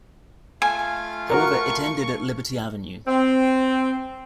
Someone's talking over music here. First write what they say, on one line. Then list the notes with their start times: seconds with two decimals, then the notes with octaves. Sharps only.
However, it ended at Liberty Avenue.
0.62 A3 F4 F5 G#5
1.30 F#4 A#4 C#6
3.08 C4